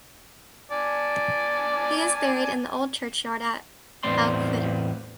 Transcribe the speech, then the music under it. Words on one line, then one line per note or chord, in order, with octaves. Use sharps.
He is buried in the old churchyard at Balquhidder.
D5 G#5 A5
E2 A2 B3 C4 D5 C6